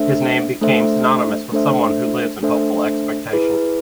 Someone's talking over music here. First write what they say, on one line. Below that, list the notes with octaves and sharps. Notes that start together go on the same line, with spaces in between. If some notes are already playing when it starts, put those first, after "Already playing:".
His name has become synonymous with someone who lives in hopeful expectation.
Already playing: A3 D4 A4 C5 E5
A3 D4 A4 C5 E5
A3 D4 A4 C5 E5
A3 D4 A4 C5 E5
E4 G#4 B4